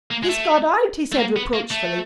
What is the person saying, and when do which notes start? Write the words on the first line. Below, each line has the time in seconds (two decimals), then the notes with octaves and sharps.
"He's got out," he said reproachfully.
0.11 A#3
0.23 G#3
0.29 A3
1.12 A3
1.18 A#3
1.36 B3
1.53 A#3
1.71 A3